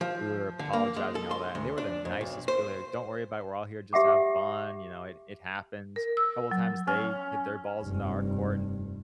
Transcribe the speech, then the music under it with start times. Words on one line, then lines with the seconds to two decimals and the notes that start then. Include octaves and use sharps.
we were apologizing and all that, and they were the nicest people, like, "Don't worry about it, we're all here, just have fun, you know, it it happens." A couple of times they hit their balls into our court, and
0.01 F3
0.59 D3
0.73 A#3
0.96 G#3
1.15 A4
1.31 C6
1.55 D2
1.78 D4
2.05 F2
2.21 B1
2.48 C5
3.93 G4 E5 F#5 D6
5.96 A#4
6.17 E6
6.51 F#3
6.87 C#4
7.81 F1 G2